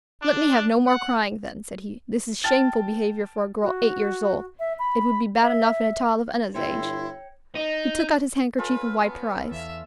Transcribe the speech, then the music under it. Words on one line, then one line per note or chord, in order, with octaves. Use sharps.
"Let me have no more crying, then," said he; "this is shameful behavior for a girl eight years old; it would be bad enough in a child of Enna's age." He took out his handkerchief and wiped her eyes.
D4
F#5
G5 A5 F6 A6
F#4
E5
B5
E5
G1 E4 C#5 G5 C6
D#4
C#4 F4 A4 B4
B3
E2 E5 F5